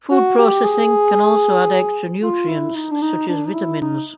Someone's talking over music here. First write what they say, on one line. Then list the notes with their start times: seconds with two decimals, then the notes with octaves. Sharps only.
Food processing can also add extra nutrients such as vitamins.
0.11 F#4
0.38 G4
0.64 G#4
2.22 F4
2.49 E4
2.76 D#4
2.91 D4
3.02 D#4
3.28 D4
3.46 D#4
3.54 E4
3.81 D#4